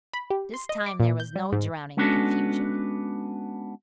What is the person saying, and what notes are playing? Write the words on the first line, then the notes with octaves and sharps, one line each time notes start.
This time there was no drowning the confusion.
B5
G4
C6
D#5
D6
A#2
G6
G3
G#2
G#3 B3 C#4 D4 F#4 A4